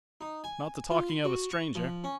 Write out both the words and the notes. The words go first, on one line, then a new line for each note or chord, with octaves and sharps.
Not the talking-over stranger.
D#4
G#5
F4
C6
F#4
C#6
F3
C#4